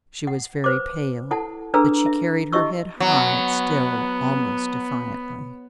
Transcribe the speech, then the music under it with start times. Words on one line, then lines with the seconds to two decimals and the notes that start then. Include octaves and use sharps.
She was very pale, but she carried her head high still--almost defiantly.
0.27 F#5
0.64 B4 C5 D6
1.31 E4 A4 F#5 A5
1.74 D4 G#4 A4 B4 A#5 E6
2.06 E5
2.53 E4 G4 D#5 E5 C#6 E6
3.00 F#3 B3